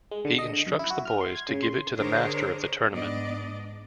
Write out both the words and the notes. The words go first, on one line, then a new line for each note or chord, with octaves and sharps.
He instructs the boys to give it to the master of the tournament.
G#3
D3
D#5
D3
F#2
E4
F#4
F6
C6
G#6
C#3
C6
D3 D4 G#4 A#4 C5 C#5
G#2 B3 D4 D5 D#5